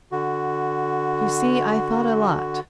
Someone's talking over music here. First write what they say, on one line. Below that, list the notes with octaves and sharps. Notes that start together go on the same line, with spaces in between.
You see, I thought a lot.
D3 F#4